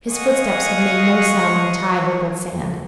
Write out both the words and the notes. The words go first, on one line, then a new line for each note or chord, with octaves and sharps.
His footsteps had made no sound on the tide-rippled sand.
D#5 F5 F#5 G#5 C#6 D#6